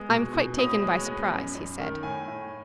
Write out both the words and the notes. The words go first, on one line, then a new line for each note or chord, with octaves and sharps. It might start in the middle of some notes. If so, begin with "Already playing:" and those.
"I'm quite taken by surprise," he said.
Already playing: G#3 B3
B2
B2
A2 D#6
G#3
B3
F#2
F#2
D#3
A2 G#5
A2